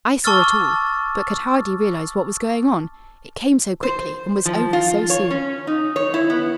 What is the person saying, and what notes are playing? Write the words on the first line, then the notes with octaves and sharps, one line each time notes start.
I saw it all, but could hardly realize what was going on, it came so quickly and was over so soon.
A5 C#6 D6 E6 F6 A6
C5
F3
F4
C#5
C#4
D#4
C#5
E4
B3